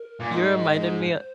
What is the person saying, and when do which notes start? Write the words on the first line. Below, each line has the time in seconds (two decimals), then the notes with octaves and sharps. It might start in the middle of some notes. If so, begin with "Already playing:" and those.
You reminded me, uh
Already playing: A#4
0.20 A#2
0.31 G#2
0.80 C5